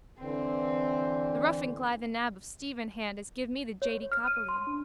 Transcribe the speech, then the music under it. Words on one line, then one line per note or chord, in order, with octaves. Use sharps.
The ruffin cly the nab of Stephen Hand as give me the jady coppaleen.
D3 E3 C4
C#5
F6
D#7
C6
D4